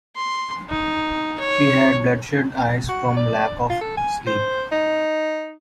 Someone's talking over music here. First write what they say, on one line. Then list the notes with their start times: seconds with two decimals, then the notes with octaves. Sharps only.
She had bloodshot eyes from lack of sleep.
0.16 C6
0.69 D#4
1.39 C#5
2.89 F#4
3.17 D5
3.70 F4
3.81 A4
3.97 G#5
4.27 C5
4.72 D#4